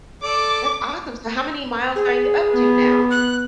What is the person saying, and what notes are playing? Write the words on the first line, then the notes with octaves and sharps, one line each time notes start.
That's awesome. So how many miles are you up to now?
A4 D5 D6
G#4
B3
F#6